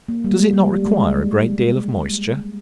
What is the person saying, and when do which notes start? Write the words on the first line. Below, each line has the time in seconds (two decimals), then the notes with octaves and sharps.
Does it not require a great deal of moisture?
0.09 A#3
0.24 G3
0.31 G#3
0.53 G3
0.86 G#3